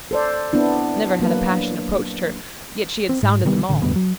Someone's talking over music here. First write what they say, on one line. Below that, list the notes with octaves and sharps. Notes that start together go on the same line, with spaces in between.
Never had a passion approached her, yet she had sounded them all.
A4 C5 D5
B3 C4 D4 E4
F#3 A#3 B4
D4
C4
G#2
C3 D#3 G3 B3
A1 D3
E1 D2 G2 B3
F#3